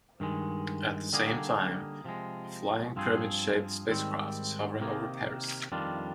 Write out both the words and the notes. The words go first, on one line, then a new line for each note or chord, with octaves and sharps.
At the same time, a flying pyramid-shaped space craft is hovering over Paris.
G2 D#3 G#3
D3 G3 A#3 D#4 G#4
C3 F3 G#3
G2 F3 C4 F4 G#4
G#2 D#3 G3 C4
C3 D#3 A#3
F2 D#3 G3 D4 F4